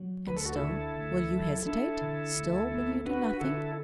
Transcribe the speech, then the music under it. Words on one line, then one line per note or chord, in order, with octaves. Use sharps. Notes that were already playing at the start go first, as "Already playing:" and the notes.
And still will you hesitate; still will you do nothing?
Already playing: F#3
D2 B4
A4
F#4
E4 A4
D3
D2
F#3
D4 E4 A4
D3
D2
B3
D4 F#4 B4
F#4
D3 E4 A4